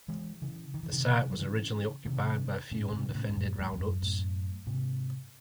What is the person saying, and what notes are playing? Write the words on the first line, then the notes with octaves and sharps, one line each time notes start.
The site was originally occupied by a few undefended round huts.
E3 G#3
C#3 E3
D#3
E3
C3 D#3
F#3
C#3 E3
C3 D#3
A2 C#3
G#2 C3
D#3
A2 C#3
G#2
F#2 A2
E2 G#2
E2
F#2
F#2 A2
G#2 C3